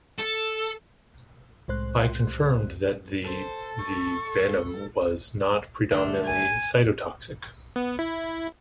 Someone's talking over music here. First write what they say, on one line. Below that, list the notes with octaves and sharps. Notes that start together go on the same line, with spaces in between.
I confirmed that the the venom was not predominantly cytotoxic.
A4
C2 A2 G#3 C5 C6 F#6
A4 C5
C#6
G#2 D3 A3
G#5
B3
E4